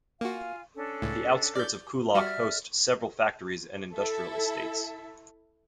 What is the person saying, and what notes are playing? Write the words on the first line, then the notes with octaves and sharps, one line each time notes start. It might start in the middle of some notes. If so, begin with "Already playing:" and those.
The outskirts of Coolock host several factories and industrial estates.
A#3 F4 F#4 F5 G#5
C#4 D4 A4
C#2 A2
D5 G6
G3 F#4 D5 E5 F6
E4 A4 E5